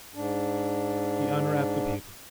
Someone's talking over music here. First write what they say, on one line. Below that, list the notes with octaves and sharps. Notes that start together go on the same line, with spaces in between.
He unwrapped the paper.
G#2 D4